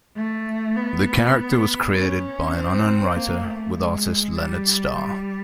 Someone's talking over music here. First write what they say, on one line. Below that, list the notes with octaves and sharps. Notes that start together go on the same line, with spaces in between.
The character was created by an unknown writer with artist Leonard Star.
A3
B3
C#4
C4
A#3
A3
G#3
G3
G3